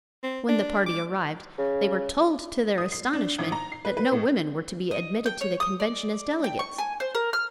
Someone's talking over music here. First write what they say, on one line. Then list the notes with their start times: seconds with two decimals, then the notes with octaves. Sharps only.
When the party arrived, they were told, to their astonishment, that no women were to be admitted to the Convention as delegates.
0.23 C4
0.49 D4
0.86 D6
1.58 C#3
2.78 D#6
2.92 C7
3.13 D4
3.39 G#1
3.52 A#5
3.72 C7
3.85 B4
3.97 B4
4.12 A2
4.91 D#5
5.26 G5
5.41 C#5
5.60 D#6
5.80 D5
6.44 G5
6.59 C#6
6.78 G#5
7.00 C5
7.15 A#4
7.33 F6